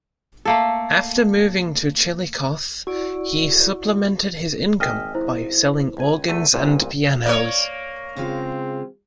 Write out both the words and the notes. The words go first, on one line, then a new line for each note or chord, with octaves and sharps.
After moving to Chillicothe, he supplemented his income by selling organs and pianos.
A3 A#3 A4
E4 F#4 D5
G#1 D#5 E5 G5 G#5 F6
E4 C5
C#2 G#5
E2 A3 D#7
C2 A#2
A#3 C#5 D5
C#3 G#3 C4 F4